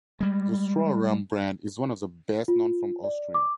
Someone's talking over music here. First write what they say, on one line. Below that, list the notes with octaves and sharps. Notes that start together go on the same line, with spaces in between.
The Stroh Rum brand is one of the best-known from Austria.
G3 G#3
F4
D5
D6